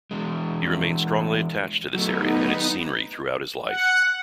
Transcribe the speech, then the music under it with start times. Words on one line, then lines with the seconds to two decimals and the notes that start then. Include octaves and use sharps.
He remained strongly attached to this area and its scenery throughout his life.
0.11 E2 G#3
1.94 F#3 A3 B3 D#4
3.68 F#5